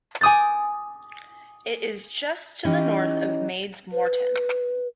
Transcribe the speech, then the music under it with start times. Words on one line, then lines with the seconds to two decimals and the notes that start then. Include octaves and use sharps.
It is just to the north of Maids Moreton.
0.21 G#5 D6 D#6 G6 A6
2.65 E3 C#4 D#4 G4
3.92 B4